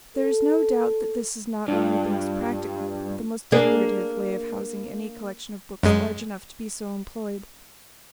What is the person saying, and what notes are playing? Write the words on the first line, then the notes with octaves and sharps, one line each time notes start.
There is no doubt that this is not only the most practical, but the most decorative, way of housing any collection of books large enough to be so employed.
A4
G2 D4 F4
A#3 D4 G#4
F#2 G#3